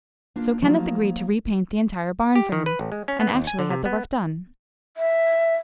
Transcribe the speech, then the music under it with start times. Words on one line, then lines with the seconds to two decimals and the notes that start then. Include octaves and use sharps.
So Kenneth agreed to repaint the entire barn for him, and actually had the work done.
0.36 A#3 D4 F4
0.62 F3 F#3 A3 A#3 D#4 F4
2.35 G4
2.52 D#3
2.66 B4
2.79 A1
2.92 G#3
3.08 C#4
3.21 B3
3.33 D#2
3.47 G#5
3.59 D3
3.70 C3
3.85 B3
4.97 E5